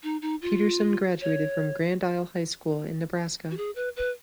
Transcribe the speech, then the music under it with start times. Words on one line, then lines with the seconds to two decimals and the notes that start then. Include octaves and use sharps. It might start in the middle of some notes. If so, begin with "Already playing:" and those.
Peterson Graduated from Grand Isle High School in Nebraska.
0.03 D#4
0.22 D#4
0.42 F4
1.21 C#5
3.51 F#4
3.57 G#4
3.76 B4
3.96 B4